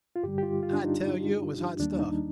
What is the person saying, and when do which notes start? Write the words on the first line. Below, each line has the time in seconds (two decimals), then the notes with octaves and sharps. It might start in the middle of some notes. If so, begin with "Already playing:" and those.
I tell you it was hot stuff.
0.16 F4
0.23 G2 D3 G3 G4
0.38 G4
0.43 F4
0.63 F4
0.73 D4
0.82 D#4
1.79 D#2 D#3 G3 A#3 D4
1.99 D#4